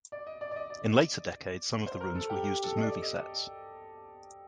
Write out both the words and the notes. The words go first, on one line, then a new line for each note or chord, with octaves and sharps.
In later decades some of the rooms were used as movie sets.
D5
D#5
D5
D5
D#5
D5
C5
A#4
A4
G4
G4
A4
D#5
D5
D#5